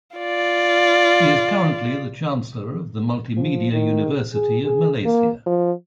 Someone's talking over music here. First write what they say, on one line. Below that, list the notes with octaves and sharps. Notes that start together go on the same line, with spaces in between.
She is currently the chancellor of the Multimedia University of Malaysia.
F4 D5
F3
D#3
G#4
G#4
A#3
F3